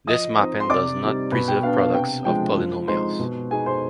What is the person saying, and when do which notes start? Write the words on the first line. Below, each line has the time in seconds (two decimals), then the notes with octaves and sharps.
This mapping does not preserve products of polynomials.
0.07 F3 D#5 D#6
0.38 C4 D#4
0.60 C6
0.70 C3 D5 D6
1.01 G3 C4 D#4
1.32 B2 B4 B5
1.48 G5
1.63 B3 D4 F5
1.78 F5
1.94 C3 G5
2.25 F3 G#3 D4 G5
2.57 F3
2.88 G#3 C4 D#4 C5 C6
3.19 B2
3.51 B3 D#4 G#4 G#5
3.66 C5 C6